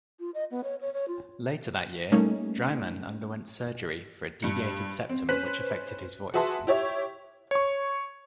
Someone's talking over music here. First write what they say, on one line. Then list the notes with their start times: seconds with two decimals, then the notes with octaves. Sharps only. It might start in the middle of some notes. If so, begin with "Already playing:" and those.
Later that year, Draiman underwent surgery for a deviated septum which affected his voice.
0.20 F4
0.34 D#5
0.51 B3
0.64 C#5
0.82 C#5
0.94 C#5
1.08 F4
2.12 G3 A3 A#3 C#4 D#4
4.43 G2 C#7
5.09 C4
5.29 C#4 B4 C5 F#6 B6
6.34 F#4 G#4 B4 E5 A5 C6
6.67 E4 G4 C#5 E5
7.51 C#5 C#6